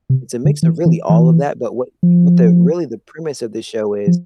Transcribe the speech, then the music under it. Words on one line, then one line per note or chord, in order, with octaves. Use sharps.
it's a mix of really all of that, but what what the really the premise of the show is
C3
D3
E3
E3
E3
F3
F3